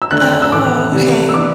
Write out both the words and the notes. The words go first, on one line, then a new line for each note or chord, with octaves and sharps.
Oh, okay.
E6
D3 A3 D4 F#6
F#6
F#6
E6
A2 E3 A3 D6
C3 E3 G3 B3
E6
E3 B3 D4 D6